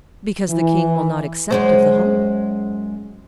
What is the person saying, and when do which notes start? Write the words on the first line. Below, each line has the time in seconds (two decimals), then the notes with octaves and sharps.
"Because the king will not accept of the whole."
0.50 E3
1.51 F#2 G#3 C5